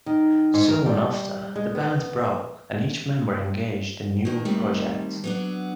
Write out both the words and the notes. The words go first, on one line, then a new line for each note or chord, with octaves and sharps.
Soon after, the band broke, and each member engaged in new projects.
D#3
G#2
A#4
G3
G#3
B3
B2 D#3
D#3 G3 A3 C4
F#3 B3 D4